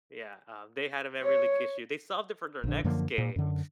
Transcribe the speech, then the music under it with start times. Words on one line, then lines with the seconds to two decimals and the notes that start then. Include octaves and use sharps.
Yeah, um, they had a memory leak issue. They solved it for their next game,
1.23 C#5
2.64 A#1 D3
2.84 F#2 D3 F3 A#3
3.18 A#2
3.36 F#2 D3